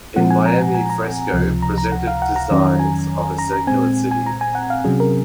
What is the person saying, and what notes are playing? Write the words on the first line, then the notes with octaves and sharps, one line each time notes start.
In Miami Fresco presented designs of a circular city.
A#2 F3 G#3 C4 F#5
G#5
A#5
G#5
A#5
C#2 C3 F3
A#5
A#5
F#5
F5
F#5
A#5
F2 D#3 F#3 C#4
G#5
A#5
A#5
A#2 G#3 C4 G#5
G#5
A#5
G#5
F#5
F5
C3 F#3 C#4 G#4
A#4